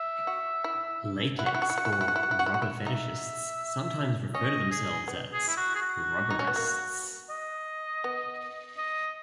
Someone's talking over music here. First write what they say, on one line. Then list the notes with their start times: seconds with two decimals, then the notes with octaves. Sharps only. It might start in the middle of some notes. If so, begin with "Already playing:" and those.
Latex or rubber fetishists sometimes refer to themselves as "rubberists".
Already playing: E5
0.27 F#4
0.64 E4
1.39 E4 F#5
1.46 F#4
1.54 E4
1.62 F#4
1.70 E4
1.78 F#4
1.85 E4
1.93 F#4
2.01 E4
2.08 F#4
2.16 E4
2.23 F#4
2.31 E4
2.39 F#4
2.46 E4
2.54 F#4
2.62 E4
2.87 D#4 E5
4.34 C#4 D#5
4.71 G#4
5.08 B3
5.33 G#4
5.48 E4
5.57 F#4
5.75 G#4
5.82 F#4
6.30 D#4
6.39 C#4
6.48 B3
6.56 A#3
7.30 D#5
8.04 B3
8.78 D#5